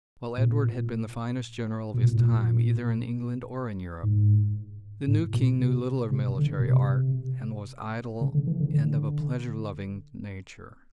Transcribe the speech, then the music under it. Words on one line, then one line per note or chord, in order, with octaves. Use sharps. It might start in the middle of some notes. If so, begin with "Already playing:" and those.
While Edward had been the finest general of his time either in England or in Europe, the new king knew little of military art and was idle and of a pleasure loving nature.
A#2
B2
A#2
A2
A#2
G#2
A2
B2
C3
C3
D3
B2
C3
C#3
D3
E3
D3
D3